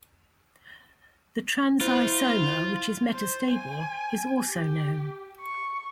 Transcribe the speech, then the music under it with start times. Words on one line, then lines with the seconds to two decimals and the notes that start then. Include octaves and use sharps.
The trans isomer, which is metastable, is also known.
1.81 E4 F4 C5
3.13 C5
3.51 G#5
4.48 G4
5.41 C#6